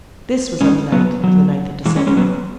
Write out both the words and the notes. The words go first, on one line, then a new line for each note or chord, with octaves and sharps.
This was on the night of the ninth of December.
G#3 C#4
F#3 B3
F#3
E3 G#3
G#3 C#4
G#3 C#4
F#3 B3